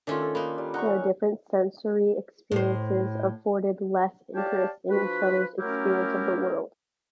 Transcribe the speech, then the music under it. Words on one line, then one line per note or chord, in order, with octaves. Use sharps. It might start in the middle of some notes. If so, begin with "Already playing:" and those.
Their different sensory experiences afforded less interest in each other's experience of the world.
D#3 A3 C#4 D4 F4
A4
A#3 D#4 B4
G3
D#4 F#5 A#5 C#6
C#4
A2 C5
G4 C#5 D5 F5 G5 A5
F3 D4 F#4 B4
F#3 A3 C#4 E4 G4 A#4